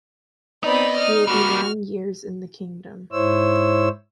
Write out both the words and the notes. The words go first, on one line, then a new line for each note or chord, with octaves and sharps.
He will be nine years in the kingdom.
B3 C4 D#4 D5 B5
D#5 F6
G3 A#3 F#4 F6
G#2 E4 C5 C#5 E6